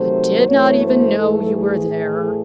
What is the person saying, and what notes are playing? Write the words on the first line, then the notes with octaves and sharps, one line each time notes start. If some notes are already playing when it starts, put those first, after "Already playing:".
"I did not even know you were there."
Already playing: C3 D#3 F#3 A3 C5
F#2 E3 A3 C#5
C5
G#2 E3 A3 A4
G#4
A2 E3 A3